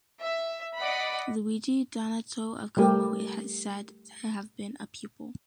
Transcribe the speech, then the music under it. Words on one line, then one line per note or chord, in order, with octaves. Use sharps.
Luigi Donato of Como is said to have been a pupil.
E5
D5 D#5 F#5 B5
G3 A3 G4 A#4